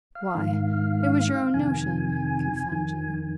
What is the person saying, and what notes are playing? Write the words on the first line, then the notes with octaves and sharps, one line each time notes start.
"Why, it was your own notion, confound you!"
F5
G#2 D#3
F2 C3 D#3 G#5
F2 D#3